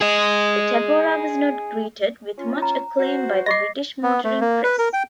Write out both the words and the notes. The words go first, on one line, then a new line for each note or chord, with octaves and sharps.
The Tagora was not greeted with much acclaim by the British motoring press.
G#4 D#5
C#4 F4
A#5
F#4 C5
D#5 C#6 D6 A#6 C7
B3
A3
A#3
B4
A#4
G5